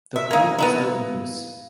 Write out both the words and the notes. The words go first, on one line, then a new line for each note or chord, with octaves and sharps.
The pool is still in use.
E5
A#3 D#4 F5 G#6
B3 D#4 E4